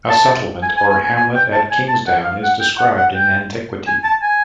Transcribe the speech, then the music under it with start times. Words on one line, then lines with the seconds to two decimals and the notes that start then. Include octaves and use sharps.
A settlement or hamlet at Kingsdown is described in antiquity.
0.09 A5
0.62 G#5
0.77 G#5
0.90 G#5
1.04 G#5
1.16 G#5
1.35 G5
1.53 A5
1.71 G#5
1.88 A5
2.07 F#5
2.24 F5
2.43 F#5
2.60 G5
2.78 F#5
2.97 F#5
3.15 G5
3.87 G#5
4.04 A5
4.22 G#5